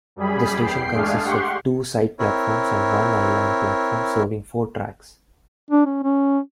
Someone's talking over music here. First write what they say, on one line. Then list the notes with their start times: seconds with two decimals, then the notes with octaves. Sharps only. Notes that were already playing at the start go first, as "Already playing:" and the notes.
The station consists of two side platforms and one island platform serving four tracks.
0.16 F#2 G3 G#4 B5
0.62 E2 G5 C7
0.93 G#3 A3 D4 G#4 F5
1.23 G4 F#5 C6 C#6
2.19 C4 E4 A#4 C#5
5.71 D4
5.86 C#4
6.03 C#4